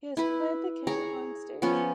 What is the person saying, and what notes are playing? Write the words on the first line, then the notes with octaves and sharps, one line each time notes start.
He has played the king on stage.
E4 B4
G#4 C#5 A#5
F3 B3 C#4